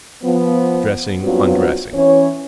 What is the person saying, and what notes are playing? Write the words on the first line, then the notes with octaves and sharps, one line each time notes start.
Dressing, undressing.
F3 B3
G2 F#3 B3 C4 F4 F#4
E3 C#4 C#5